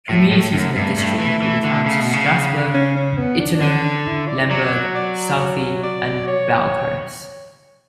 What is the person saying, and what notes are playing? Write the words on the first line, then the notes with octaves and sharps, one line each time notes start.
Communities in the district include the towns of Strasbourg, Ituna, Lemberg, Southey, and Balcarres.
A2 F#3
A2
F#2 A3
G2
G2
E3
E3
D3
C#3
B2
C#3
C#4
C#4
B3
D4
D4
D3 C#4
D4
E4
D5
F#3 D5
D5
C#5
D5
C#5